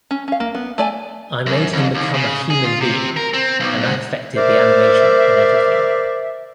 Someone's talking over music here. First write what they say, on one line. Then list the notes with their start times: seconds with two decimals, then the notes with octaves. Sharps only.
I made him become a human being and that affected the animation and everything.
0.11 C#4
0.28 C#4 F5
0.40 A#3
0.55 B3
0.78 A3 D5 G#5
1.46 F#2
1.73 F2
1.94 D#2
2.14 C#3
2.50 G#4
2.64 F4
2.80 C3
3.17 A#4
3.33 C4
3.60 B1
3.84 G#2
4.36 A#4 C5 D5 E5